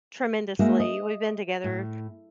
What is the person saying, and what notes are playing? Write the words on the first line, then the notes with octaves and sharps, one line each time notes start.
tremendously, we've been together
G#3 A#3 D#4 F#4 E5
D#5
A2